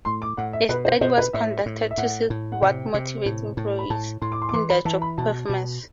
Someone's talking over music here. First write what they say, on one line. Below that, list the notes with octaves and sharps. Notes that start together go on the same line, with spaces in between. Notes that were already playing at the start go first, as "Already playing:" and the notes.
A study was conducted to see what motivates employees in their job performance.
A2 C6
D6
A2 F#5
E5
B2 B4
C5
B2 C5
B4
A2 E5
A2
E5
A2 F#5
A2
F#5
C3 G5
C3
A2
A2
B5
A2 A5
A2 C6
D6
C6
D6
E3 C6
B5
E3 A5
B5
B2 A5
B2